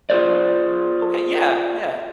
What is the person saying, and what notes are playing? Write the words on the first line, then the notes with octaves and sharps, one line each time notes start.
Okay, yeah, yeah.
F4 G#4 A#4 C5 D5